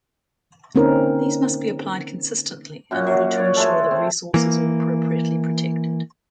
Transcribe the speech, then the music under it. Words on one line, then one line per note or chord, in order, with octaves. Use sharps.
These must be applied consistently in order to ensure that resources are appropriately protected.
D3 A#3 C4 C#4 D#4 A#4
F#2 A#2 F#5
F#3
C#5 D5
G#3 A3 A4
C4
E3 A#3